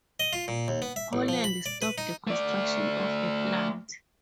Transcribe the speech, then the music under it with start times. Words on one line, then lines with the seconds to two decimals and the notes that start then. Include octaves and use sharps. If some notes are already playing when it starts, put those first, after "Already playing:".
Poland stopped the construction of a plant.
0.20 D#5
0.33 F4
0.48 A#2
0.68 D#2
0.82 B3
0.96 E5
1.13 A1
1.28 F3
1.44 B5
1.66 D5
1.82 B4
1.98 D#4
2.27 A3 D5